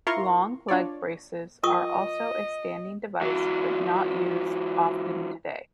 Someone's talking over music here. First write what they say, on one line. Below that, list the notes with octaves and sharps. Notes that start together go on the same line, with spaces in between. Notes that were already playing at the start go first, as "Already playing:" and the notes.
Long leg braces are also a standing device but not used often today.
E4 F4 A#4 A#5 C6 C#6
D4 F4 C#5 D5
F4 A#4 D#5 G5 C#6 D#6
E3 F#3